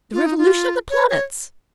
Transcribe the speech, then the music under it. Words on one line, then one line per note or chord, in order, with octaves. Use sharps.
The revolution of the planets.'
F4
D#4
F4
C#5
C#5